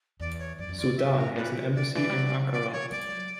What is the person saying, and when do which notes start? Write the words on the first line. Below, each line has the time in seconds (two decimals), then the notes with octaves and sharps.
Sudan has an embassy in Ankara.
0.20 E2 D5
0.39 C#5
0.58 F#2 D5
0.69 F#2
0.78 E2 D5
0.97 G2 E5
1.16 A#4
1.36 A#2 B4
1.75 B2 D5
1.94 E3 D5
2.10 G3
2.14 F#3
2.53 D5
2.73 C#5
2.91 G3 D5
3.12 F#3